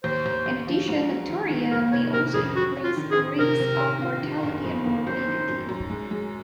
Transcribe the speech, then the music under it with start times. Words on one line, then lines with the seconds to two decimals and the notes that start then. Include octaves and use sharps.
In addition, nocturia may also increase risk of mortality and morbidity.
0.04 D#2 C5
0.26 D#2
0.46 D#2
0.67 F3
0.88 G#2
1.09 F#3
1.30 D#3
1.50 D#3
1.71 F2 A#4
1.92 C3 C#5
2.13 C3 A#4
2.34 F2 G#4
2.56 F#3 F#4
2.77 C#4
2.83 F4
2.97 D#3
3.11 G#4
3.18 D#3
3.38 C3 A#4
3.60 C3
3.80 C#4
4.02 F4
4.23 D#3
4.43 F#1
4.64 F2
4.86 D#3
5.07 F#2 C5
5.27 D#3
5.49 F#2
5.69 F#2
5.90 G#3
6.11 G#3